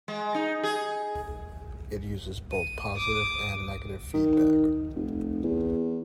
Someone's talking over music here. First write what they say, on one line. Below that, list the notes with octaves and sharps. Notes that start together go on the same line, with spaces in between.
It uses both positive and negative feedback.
G#3
D#4
G#4
D#7
D6 D#6
D#3
F1
E2